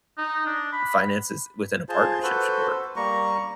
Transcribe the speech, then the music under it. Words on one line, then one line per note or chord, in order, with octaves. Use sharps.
finances within a partnership should work?
D#4
D4
B5
F4 G#4 C5 A5
F#4 A4 B4 C5
G3 A#3 A#5 C#6